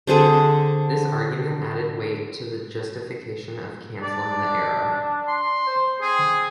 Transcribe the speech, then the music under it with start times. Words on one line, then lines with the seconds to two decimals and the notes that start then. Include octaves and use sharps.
This argument added weight to the justification of cancelling the Arrow.
0.07 D3 C4 G#4 A4
4.02 D4 D5
5.28 C6
5.67 C5
6.02 C4 G#4